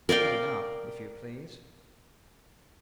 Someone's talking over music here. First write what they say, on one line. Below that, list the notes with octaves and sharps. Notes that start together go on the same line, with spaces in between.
"Going up, if you please."
A#4 D5 F5 G5